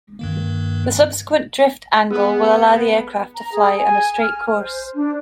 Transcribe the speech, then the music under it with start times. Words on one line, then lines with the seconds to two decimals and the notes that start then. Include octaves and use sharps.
The subsequent drift angle will allow the aircraft to fly on a straight course.
0.19 G2 D#3 A#3
2.11 B3 G#4
3.35 A#5
3.53 G#4
3.75 G#5
4.20 F6
4.55 C5
4.94 D4